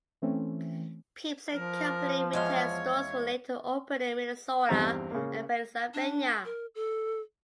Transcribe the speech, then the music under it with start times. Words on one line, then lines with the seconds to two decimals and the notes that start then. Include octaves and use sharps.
Peeps and Company retail stores were later opened in Minnesota, and Pennsylvania.
0.22 E3 A3 C4 C#4
1.53 F3 A#4
2.33 E2 G#3 C#5 F5
4.69 E2 G2 C4 D#4 A#5
5.11 C#3 A#3
5.94 D4
6.45 A#4
6.75 A4